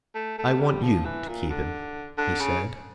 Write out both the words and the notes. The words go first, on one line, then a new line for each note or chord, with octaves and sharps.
"I want you to keep him," he said.
A3
A3
G3
F3
E3
A#2
D3
D3
C#3